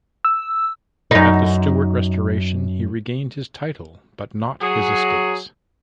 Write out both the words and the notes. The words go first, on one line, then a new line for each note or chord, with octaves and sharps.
At the Stuart Restoration he regained his title but not his estates.
E6
F#2 D#4
F#3 G#4